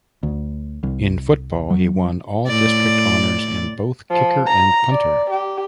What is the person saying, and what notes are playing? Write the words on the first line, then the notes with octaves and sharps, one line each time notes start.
In football, he won All-District honors at both kicker and punter.
D2
C2
F#3
A2 D5
F3
A#5
D5
G4